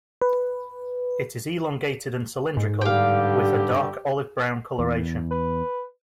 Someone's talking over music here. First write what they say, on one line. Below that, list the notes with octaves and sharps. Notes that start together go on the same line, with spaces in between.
It is elongated and cylindrical, with a dark olive-brown coloration.
B4
G#2
G2 D3 G3 G4 F5 G5
E2
B4